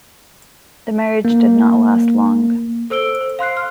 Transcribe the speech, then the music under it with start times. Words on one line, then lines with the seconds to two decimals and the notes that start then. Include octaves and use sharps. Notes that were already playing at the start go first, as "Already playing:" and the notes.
The marriage did not last long.
1.25 A#3
2.90 A4 C5 E6 D7 G7
3.21 C5
3.39 F5 C6 F#6 C7
3.57 F6